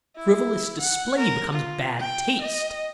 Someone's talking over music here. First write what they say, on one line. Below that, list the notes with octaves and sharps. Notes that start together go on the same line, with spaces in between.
Frivolous display becomes bad taste.
E4
F#5
A#4
F4
G5
D#5